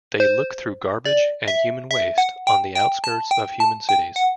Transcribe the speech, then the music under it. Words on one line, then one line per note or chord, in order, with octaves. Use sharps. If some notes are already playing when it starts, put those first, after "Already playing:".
They look through garbage and human waste on the outskirts of human cities.
C5
D5
E5
E5
F#5
G5
G5
A5
G5
A5
G5
F#5